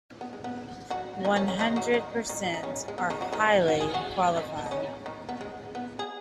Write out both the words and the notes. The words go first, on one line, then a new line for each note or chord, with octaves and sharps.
One hundred percent are "Highly Qualified".
B3
G#3
B3
F#3 F#4
D#3 D#4
C#3 C#4
C#3 C#4
D#3 D#4
F#3 F#4
D#3 D#4
D#3 D#4
D#4
C#3 C#4
G#3
B3
D#3 D#4
F#3 F#4
D#3 D#4
F#4
G#4
F#3 F#4
D#3 D#4
B3
D#4
C#3 C#4
D#3 D#4
B3
G#3
B3
G#4